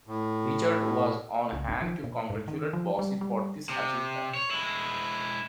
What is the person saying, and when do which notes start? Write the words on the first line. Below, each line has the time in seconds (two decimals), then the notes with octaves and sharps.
Richard was on hand to congratulate Bossy for this achievement.
0.07 A2
1.53 C#2
1.68 G#1
1.82 F3
2.04 A#2
2.30 G#2
2.48 D#3
2.73 F3
2.99 G3
3.21 G3
3.69 C3
4.35 C#5
4.51 G#3 E4